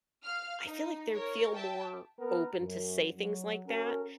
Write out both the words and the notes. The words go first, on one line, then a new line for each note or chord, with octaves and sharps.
I feel like they'd feel more open to say things like that.
F5 F6
D#4
A#4 C#5
E5 G5 A5
B3 A#4
F#2
F#3
C#4 F#4 A4 A#4